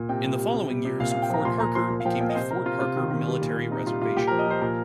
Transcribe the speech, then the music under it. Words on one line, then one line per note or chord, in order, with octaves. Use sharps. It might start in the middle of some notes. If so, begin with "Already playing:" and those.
In the following years, Fort Harker became the Fort Harker Military Reservation.
Already playing: A#2
C3 G5
G3
G3
C3
G3
C3
A#2 F5
A#2 F5
G5
F3 A#5
A#2 C6
A#2 A#5
F3 C6
A#2
F5
F3 G5
A#2 F5
D#5
C3 C5
C3 A#4
C3 F4
C3 F4
D#3
D#3
G3
A#2
A#2
C3 D#4
G3 F4
G3 F4
A#2 G4
F3 A#4
D#5
F3 C5
A#2 A#4